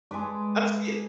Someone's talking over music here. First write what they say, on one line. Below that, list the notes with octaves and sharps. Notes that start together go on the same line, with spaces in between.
that's yeah.
G#3 A4 B4 D6